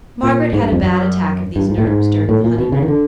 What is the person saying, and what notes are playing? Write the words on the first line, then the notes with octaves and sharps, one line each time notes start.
Margaret had a bad attack of these nerves during the honeymoon.
A#2
G#2
G2
F2
F#2
G2
G#2
A2
G#2
A2
A#2
B2
C#3
D#3
D3